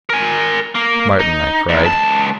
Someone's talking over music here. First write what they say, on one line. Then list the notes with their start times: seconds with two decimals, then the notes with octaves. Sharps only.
"Martin," I cried.
0.10 A#4 G#5
0.75 A#3
1.19 D#4
1.69 D#2
1.84 C#2 A5